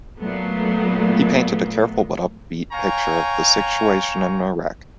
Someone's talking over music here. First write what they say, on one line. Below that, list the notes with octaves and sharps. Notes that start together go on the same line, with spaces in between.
He painted a careful but upbeat picture of the situation in Iraq.
A#2 F#3 A3 B3
C#5 F5 G5 G#5 A#5 C#6